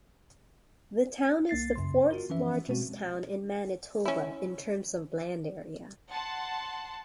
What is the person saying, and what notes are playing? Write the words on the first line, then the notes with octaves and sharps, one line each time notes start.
The town is the fourth-largest town in Manitoba in terms of land area.
C2 A#3 A6 C7
F#2 C#3 C6
F4 F#4 A#4
E3 F3 C#4 B4 E5
B2 G#3 C4 F#4
C#4 E4
F#5 A5 C6